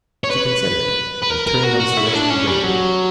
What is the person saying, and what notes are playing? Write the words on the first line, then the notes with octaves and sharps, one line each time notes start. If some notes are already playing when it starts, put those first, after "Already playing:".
She considered and turned on Sir Richmond gravely.
C#5
B4
B4
A#4
A#4
F#4
F#4
E4
C#4
D4
C#4
G3
F#3